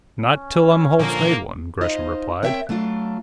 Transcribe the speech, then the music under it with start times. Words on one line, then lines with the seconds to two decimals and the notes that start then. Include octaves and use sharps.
"Not till Umholtz made one," Gresham replied.
0.23 C#4
0.99 A#2 D3 F3 A#3
1.81 D#4 F4 C5 D#5
2.43 C4 A#4 C#5 E5 F#5 G5
2.69 F#3 A3 D4 F4